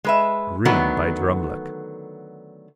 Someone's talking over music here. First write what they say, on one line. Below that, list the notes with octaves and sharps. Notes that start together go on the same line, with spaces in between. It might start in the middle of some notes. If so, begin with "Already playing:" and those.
Green by Drumleck.
G#3 B4 E5
D3 D#3 F#3 A3 B3